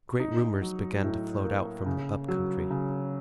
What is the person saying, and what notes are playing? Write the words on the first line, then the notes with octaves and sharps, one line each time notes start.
Great rumours began to float out from the up-country.
D#4
F#3
A2
A#3
C#3
F#3
C#3